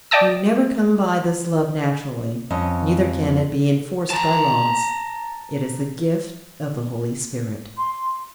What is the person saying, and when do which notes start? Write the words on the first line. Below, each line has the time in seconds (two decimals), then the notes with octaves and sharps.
We never come by this love naturally, neither can it be enforced by laws. It is the gift of the Holy Spirit.
0.11 D5 D#5 G5 A5 D#6
2.50 F2 C#4 D#5 G#5
4.10 A5 A#5
7.77 C6